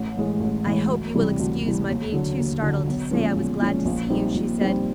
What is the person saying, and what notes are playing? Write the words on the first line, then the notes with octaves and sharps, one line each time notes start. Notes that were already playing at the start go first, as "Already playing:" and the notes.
"I hope you will excuse my being too startled to say I was glad to see you," she said.
Already playing: A1
A2 E3 G#3
A1
A2 E3 G#3
D2
C3 E3 G3
D2
C3 E3 G3
D#2
D3 F#3
D#2
D3 F#3
B1
A#2 F3 G#3 C#4
B1
A#2 F3 G#3 C#4
A#1
A#2 G3 C4 D#4
A#1
A#2 G3 C4 D#4